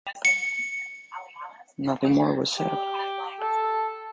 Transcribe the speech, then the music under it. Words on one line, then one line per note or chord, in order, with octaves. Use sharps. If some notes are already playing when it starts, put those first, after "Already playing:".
Nothing more was said.
C#7
G4
A4